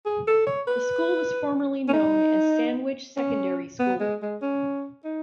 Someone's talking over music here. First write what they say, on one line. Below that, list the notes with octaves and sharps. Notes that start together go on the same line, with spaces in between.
The school was formerly known as Sandwich Secondary School.
G#4
A4
C#5
B4
C#4
D#4
C#4
B3
G#3
G#3
C#4
D#4